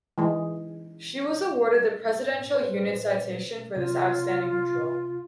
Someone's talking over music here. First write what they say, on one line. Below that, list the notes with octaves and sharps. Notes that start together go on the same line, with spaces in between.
She was awarded the Presidential Unit Citation for this outstanding patrol.
E3 G#3
B4 C5
C#2 C3 F4